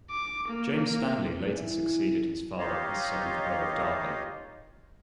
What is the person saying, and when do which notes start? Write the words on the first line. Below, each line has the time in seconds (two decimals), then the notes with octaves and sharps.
James Stanley later succeeded his father as seventh Earl of Derby.
0.11 D6
0.48 A#3
1.52 E3
2.59 D#4 F4 G4 C#5 D#5 F5